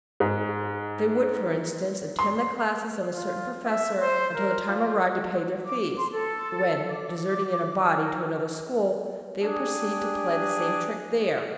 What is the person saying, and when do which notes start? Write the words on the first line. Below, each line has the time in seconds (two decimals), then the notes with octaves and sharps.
They would, for instance, attend the classes of a certain professor until the time arrived to pay their fees, when, deserting in a body to another school, they would proceed to play the same trick there.
0.20 G#2
2.19 C6
3.13 F4
3.65 E5
4.00 C5
4.35 A#4
4.68 F4
5.64 D6
5.97 C6
6.12 A4
6.88 D6
7.95 A#4
9.41 D4 G4 G#4